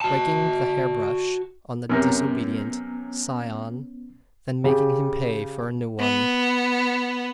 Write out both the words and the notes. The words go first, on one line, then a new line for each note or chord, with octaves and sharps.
Breaking the hair-brush on the disobedient scion, then making him pay for a new one.
F#4 A5
F#2 C3 B3 C#4 A#4
C#3 G4
B3